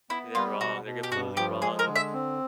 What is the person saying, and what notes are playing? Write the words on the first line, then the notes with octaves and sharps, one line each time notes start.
They're wrong, they're completely wrong,
B3 E4
G3 F4
B2 F#4
B2
G4
G2 F#4
F3 G4
G#3 G#4
A#4
D3
E5
C4